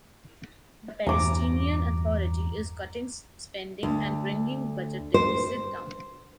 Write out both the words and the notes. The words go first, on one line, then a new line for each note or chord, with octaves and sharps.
The Palestinian Authority is cutting spending and bringing budget deficit down.
E2 G2 B2 A#5 D6
D2
C5